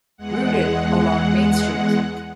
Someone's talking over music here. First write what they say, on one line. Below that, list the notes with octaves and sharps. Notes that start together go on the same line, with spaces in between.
Routed along Main Street.
E2 G#3 F#5